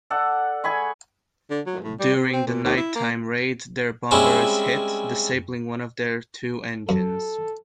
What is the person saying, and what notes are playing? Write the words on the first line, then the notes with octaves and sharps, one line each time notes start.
During the nighttime raid, their bomber is hit, disabling one of their two engines.
A4 D5 F#5
G#4 G#5 B5 C#6
D3
F#3
A2
G3
C3
C4
A#2
D#2
E4
A#3
G3 G#3 C4 C#4 E4
F#2 A4